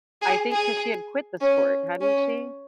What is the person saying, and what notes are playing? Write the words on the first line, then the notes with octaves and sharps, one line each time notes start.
I think 'cause she had quit the sport, hadn't she?
G#4
G#4
C#4
C#4